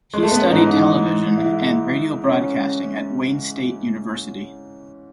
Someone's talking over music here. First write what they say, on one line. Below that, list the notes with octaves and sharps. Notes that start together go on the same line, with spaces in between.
He studied television and radio broadcasting at Wayne State University.
G#3
A3
B3
C#4
G#2 E3 D#4
E4
C#4